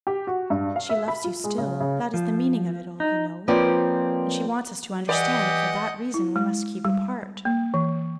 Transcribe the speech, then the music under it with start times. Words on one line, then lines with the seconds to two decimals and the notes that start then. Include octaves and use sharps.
She loves you still,--that is the meaning of it all, you know--and she wants us to understand that for that reason we must keep apart.
0.07 G4
0.27 F#4
0.50 G2
0.76 F5
0.89 E5
1.08 B5
1.24 F4
1.44 G#3
1.58 C#3
1.80 C#3
2.14 F3
3.00 D#4
3.48 F3 A#3 C4 C#4 B4 D5
5.09 E3 G4 D5 D#5 F#5
6.14 E4
6.36 G#3
6.85 G3
7.45 A#3
7.74 E3